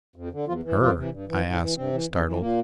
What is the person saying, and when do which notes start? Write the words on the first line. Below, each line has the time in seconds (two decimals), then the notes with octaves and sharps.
"Her?" I asked, startled.
0.16 F2
0.32 D3
0.48 E2 F3 F4
0.64 E3
0.80 F2 F3 F4
0.97 C3 E3
1.13 G2
1.28 E3
1.45 A2
1.61 E3
1.77 G2 C3 C4
1.93 E3
2.09 F2
2.25 E3
2.40 A#2 A#3